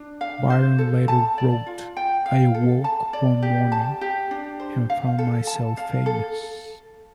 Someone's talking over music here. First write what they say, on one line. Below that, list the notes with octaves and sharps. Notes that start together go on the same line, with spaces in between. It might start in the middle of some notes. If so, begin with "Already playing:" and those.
Byron later wrote, "I awoke one morning and found myself famous".
Already playing: D4
F5
C5
A4
A5
D5
F4
G5
F5
A4
A5
D5
G4
A5
G4
D4
C5
F5
A4
A5
F5
A4